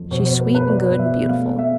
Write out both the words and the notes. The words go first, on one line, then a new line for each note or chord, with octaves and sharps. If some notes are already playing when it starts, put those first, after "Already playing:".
She's sweet and good and beautiful.
Already playing: F2
B2 C5
B3 C5
B4
B2 B4
B3 D5
B2
E5
B3
A3 F5
C4
E5